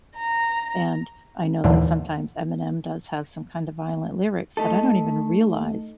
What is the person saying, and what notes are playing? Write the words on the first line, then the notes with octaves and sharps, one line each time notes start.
and I know that sometimes Eminem does have some kinda violent lyrics, but I don't even realize,
A#5
D#2 A#2 D3 E3
A3 D#4 A4